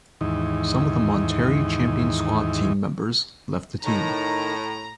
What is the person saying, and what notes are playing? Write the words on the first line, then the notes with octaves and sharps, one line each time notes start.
Some of the Monterrey champion squad team members left the team.
D#2 G#2 E3 D#4
A2 D#3 A#5